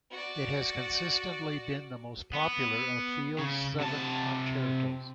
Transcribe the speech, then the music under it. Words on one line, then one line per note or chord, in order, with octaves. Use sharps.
It has consistently been the most popular of Field's seven concertos.
F#4 D5
B3
C#3
C3 A5